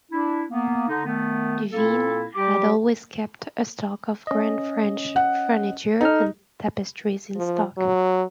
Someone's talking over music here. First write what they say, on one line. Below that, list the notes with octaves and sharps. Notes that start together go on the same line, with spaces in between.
Duveen had always kept a stock of grand French furniture and tapestries in stock.
D4 E4
A#3 B3
D3 D#4
D#3 A3 B3
A#2 A#3 C4 E4 A4
G3 G4 D6
C#4 D#5
F#5
D#4 A4 F6
F3
F#3